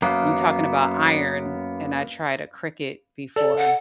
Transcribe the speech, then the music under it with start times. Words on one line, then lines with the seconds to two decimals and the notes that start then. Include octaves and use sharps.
You talking about iron, and I tried a cricket before,
0.02 F#2 A#3 B3
3.36 A4 D5
3.57 F#5